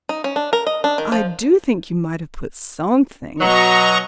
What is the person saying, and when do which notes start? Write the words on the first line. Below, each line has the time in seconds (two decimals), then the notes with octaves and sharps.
"I do think you might have put something."
0.09 D#4
0.24 C#4
0.36 D4
0.53 A#4
0.67 D#5
0.84 D4
0.98 D#3
1.12 F3
3.40 B2 F#3 D#5 A#5 C#6